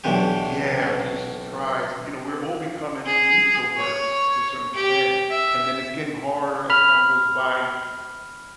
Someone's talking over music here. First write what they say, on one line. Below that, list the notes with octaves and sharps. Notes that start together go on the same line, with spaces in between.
Yeah, Jesus Christ, you know, we're all becoming introverts to a certain extent, and then it's getting harder as time goes by
B1 B2 E3 D4 G4
G#4
C#5
G4
E5
B5 F6